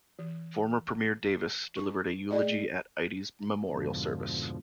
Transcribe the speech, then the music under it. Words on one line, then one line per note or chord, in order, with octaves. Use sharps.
Former Premier Davis delivered a eulogy at Ide's memorial service.
E3
D4 C#6
A3 G#4 D5 D#5
F2 G#2 B2 D3 F3